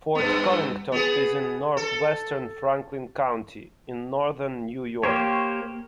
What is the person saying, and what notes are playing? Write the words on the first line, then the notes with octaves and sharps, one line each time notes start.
Fort Covington is in northwestern Franklin County, in northern New York.
G2 B3
B3 G#4
A4
A#3 G4 C5 C#5